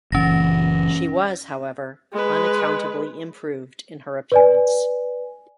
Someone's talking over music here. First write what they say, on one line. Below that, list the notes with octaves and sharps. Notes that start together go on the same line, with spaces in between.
She was, however, unaccountably improved in her appearance.
F#1 A#2 E3 C#4 A#6
G#3 B4
B4 D5 G#5